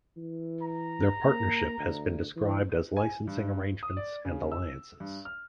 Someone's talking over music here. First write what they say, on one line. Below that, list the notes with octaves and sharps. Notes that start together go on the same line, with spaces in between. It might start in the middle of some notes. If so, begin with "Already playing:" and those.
Their partnership has been described as licensing arrangements and alliances.
E3
A#5
A#3
D2
E3
G#5
G2
D#6
D5
C#3
E6
G2
F6